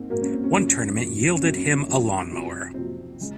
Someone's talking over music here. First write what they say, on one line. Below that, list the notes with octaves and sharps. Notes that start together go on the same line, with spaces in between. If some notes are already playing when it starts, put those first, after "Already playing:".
One tournament yielded him a lawnmower.
Already playing: G#2 A#3 C4
G#2 F#3 A#3 A#4
C#4
C4
C#4
F#2 C#3 F3 C#4
F#2 C#3 F3
C#4
F#2 D#3 F#3 C4
C#4
C#4
F#2 D#3 F#3
F2 C3 F#3
F2 C3 F#3 C4
C#3 G#3